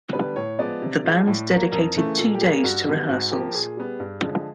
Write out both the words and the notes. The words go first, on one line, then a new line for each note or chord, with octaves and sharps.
The band dedicated two days to rehearsals.
D3 G3 B3 B4
A2 C#5
F3 G#3 B3 D5
C3
F3 G#3
A2
F#3 A#3
F2 A#4
C#3 E3 A3
A#2 A4
G4
G3 A#3 G#4
G2 F#4
D3 G3 B3
G#2 F#4
F3 A#3 G4
G4
A#2 G#4
G3 B3
G2
D3 F3 G#3